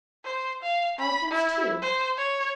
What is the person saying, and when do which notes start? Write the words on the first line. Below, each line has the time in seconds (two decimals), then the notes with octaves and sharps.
Elephants, too!
0.25 C5
0.63 F5
0.99 B5
1.31 E4
1.82 C5
2.17 C#5